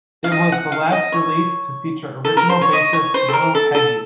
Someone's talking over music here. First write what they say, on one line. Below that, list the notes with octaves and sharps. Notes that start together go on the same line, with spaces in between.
It was the last release to feature original bassist Will Heggie.
F5
D#5
F#5
F5
D#5
C#5
A4
A#4
C5
C#5
D#5
C#5
C5
A4
A#4
A4
A4